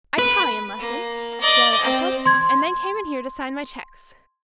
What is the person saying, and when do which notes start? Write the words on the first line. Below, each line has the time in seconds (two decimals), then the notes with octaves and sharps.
"Italian lesson," the other echoed, "and then came in here to sign my cheques."
0.18 B4
0.79 A#3
1.41 D5 D#5
1.83 C4
2.26 C6 G#6